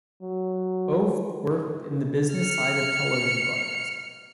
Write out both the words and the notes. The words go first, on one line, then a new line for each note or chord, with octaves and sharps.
Both worked in the business side of television broadcasting.
F#3
F6 C#7